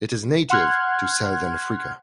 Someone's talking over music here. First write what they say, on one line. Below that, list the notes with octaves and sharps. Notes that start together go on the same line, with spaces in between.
It is native to Southern Africa.
F#5 C6 F6 F#6 G#6